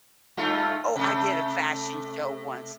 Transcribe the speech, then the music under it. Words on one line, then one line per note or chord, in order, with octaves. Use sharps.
Oh, I did a fashion show once!
G2 A3 F4
C3 A3